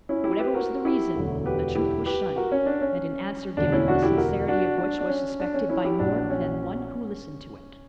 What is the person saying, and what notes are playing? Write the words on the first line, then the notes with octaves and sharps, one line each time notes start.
Whatever was the reason, the truth was shunned; and an answer given, the sincerity of which was suspected by more than one who listened to it.
C#4 E4
E4 G4
G4 B4
F#4 A#4
E4 G4
E1 D2 D3 F#3
G4 B4
E4 G4
G4 B4
F#4 A#4
C#4
D4
C#4
E1 D2 D3 D4
C#4 E4
D4 F#4
E4 G4
F#4 A#4
D4 F#4
D4
D4
C#4
D4
C#4
C#4 E4
E4 G4
A#1 A#2 F#3 D4
C#4